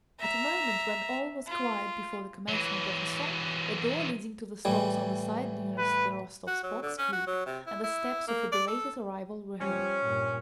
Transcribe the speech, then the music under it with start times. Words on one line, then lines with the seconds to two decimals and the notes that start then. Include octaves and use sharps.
At a moment when all was quiet before the commencement of a song, a door leading to the stalls on the side nearest the Rostovs' box creaked, and the steps of a belated arrival were heard.
0.20 E5 A#5
1.47 F4
2.48 E3 F#3
4.65 A2 E3 G3
5.78 B4
6.47 F#4
6.63 F#3
6.82 D3
6.98 C#4
7.12 F#4
7.27 F#3
7.46 C3
7.66 E4
7.83 E4
8.28 A#3
8.52 D5
8.67 A4
9.60 F3 G3 C#4
10.05 G2 A#2